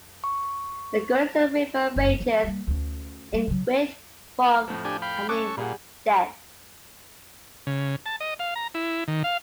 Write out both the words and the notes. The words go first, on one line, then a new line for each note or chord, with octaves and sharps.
The Gunnison River ranges in width from and in depth.
C#6
F#1 F2
F3 B3
G3 A#3
D2 C#4
G3
C#3 F#3
F2 A2 F3
D4 G4 G#5
F5 G5 B5
C#4 A4 C#6 D6 F#6
A#2 G3 G#4 F#5
C#3
A5
D#5
F5
A#5
E4
D#3
F5